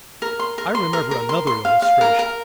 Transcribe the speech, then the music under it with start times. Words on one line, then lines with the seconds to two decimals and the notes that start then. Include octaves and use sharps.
I remember another illustration.
0.22 A#4
0.39 C6
0.58 A#4
0.75 C6
0.93 A#4
1.11 A#4
1.29 C6
1.47 C6
1.65 F5
1.82 F5
2.01 A#4
2.19 A#4